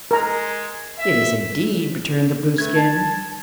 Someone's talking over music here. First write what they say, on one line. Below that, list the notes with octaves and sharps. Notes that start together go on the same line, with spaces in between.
"It is, indeed," returned the Blueskin.
G#3 A#4 A#5
E5
A3 C4 B4 G#6
A5